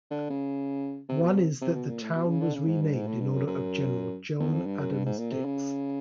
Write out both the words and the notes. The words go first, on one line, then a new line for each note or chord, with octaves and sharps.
One is that the town was renamed in honor of General John Adams Dix.
D3
C#3
C3
B2
C3
C3
B2
A#2
A2
B2
C#3
D3
C#3
G#2
G2
G#2
A2
G2
F#2
F#2
E2
F2
G2
F#2
G2
G#2
A#2
C3
C#3